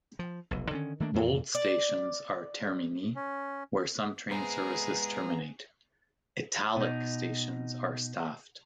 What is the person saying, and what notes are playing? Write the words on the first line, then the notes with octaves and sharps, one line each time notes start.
Bold stations are termini, where some train services terminate; "italic" stations are staffed.
F3
F1 B1
D3 D#3 B3 C#4
D#3 A3 A#3 D4
F2 A#2 E3
D5
C#4
G#3 B3 E4 G#4 C5 A#5
B2 D#4